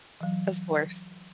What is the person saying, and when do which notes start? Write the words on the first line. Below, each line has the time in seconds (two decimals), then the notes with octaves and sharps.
Of course.
0.21 E3 F#3